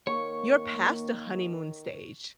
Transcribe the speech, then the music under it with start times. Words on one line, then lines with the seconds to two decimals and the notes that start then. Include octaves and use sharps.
you're past the honeymoon stage.
0.07 D#3 A#3 C#5 C#6